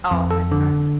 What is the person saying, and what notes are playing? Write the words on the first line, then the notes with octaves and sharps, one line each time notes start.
Oh my gosh.
F2
A4
D3